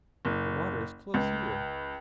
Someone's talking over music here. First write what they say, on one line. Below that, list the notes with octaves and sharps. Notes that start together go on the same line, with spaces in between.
The water is close here.
F#1
C#2